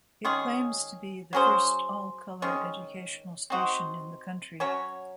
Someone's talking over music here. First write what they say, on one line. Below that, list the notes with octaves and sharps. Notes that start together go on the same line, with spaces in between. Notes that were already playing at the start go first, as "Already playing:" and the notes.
It claims to be the first all-color educational station in the country.
D#3 G#3 C#4 G#4
F#3 C#4 G#4 C5
D#3 G#3 C#4
C4 D#4 F#4 C5
F#3 C#4 F#4 C#5